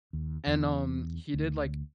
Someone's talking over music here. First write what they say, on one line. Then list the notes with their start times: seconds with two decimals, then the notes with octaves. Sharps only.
And, um, he did like
0.13 D#2
0.47 E2
1.34 D2